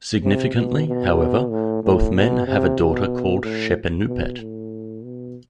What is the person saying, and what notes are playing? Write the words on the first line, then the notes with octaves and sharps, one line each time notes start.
Significantly, however, both men have a daughter called Shepenupet.
C3
B2
B2
A2
A2
B2
C3
B2
A2
B2
A2
B2